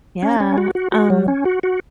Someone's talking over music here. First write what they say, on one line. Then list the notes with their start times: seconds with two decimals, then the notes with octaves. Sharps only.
Yeah, um,
0.23 C#4
0.40 C#4
0.58 F#4
0.75 F#4
0.92 F#4
1.10 F#3
1.28 C#4
1.45 F#4
1.63 F#4